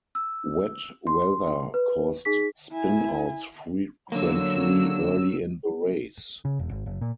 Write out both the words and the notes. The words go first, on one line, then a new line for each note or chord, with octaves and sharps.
Wet weather caused spinouts frequently early in the race.
E6
C6
B4
D#4 G#4 B6
E4 G#5
D3 F#3 A#3 E6
C#3
E1
G#1
F#1
A#2